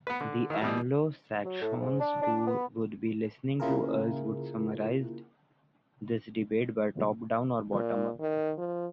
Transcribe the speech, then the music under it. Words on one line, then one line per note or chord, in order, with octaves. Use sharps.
The Anglo-Saxons who would be listening to us would summarized this debate by top down or bottom up.
B3 B4
D3
D#3 E3
B2 E3 G3
F#3
A2
G#2
D4
D4
B3
C#3 A#3 E4 F4 G#4 A#4
A#2
D#3
F3